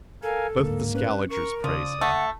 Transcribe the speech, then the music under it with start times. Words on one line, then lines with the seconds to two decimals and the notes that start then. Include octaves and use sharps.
Both the Scaligers praise him.'
0.23 A4 A#4 F5 G#5
0.58 D1 G#2 D3 A#3
0.95 C#4 B4
1.30 A#4 C#6
1.64 C#3 F3 D5 D#6
2.01 A3 F#5